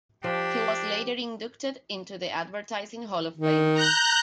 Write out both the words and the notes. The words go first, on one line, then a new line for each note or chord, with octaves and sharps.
He was later inducted into the Advertising Hall of Fame.
F3 D4 G4
D#3
A#5 F#6 G6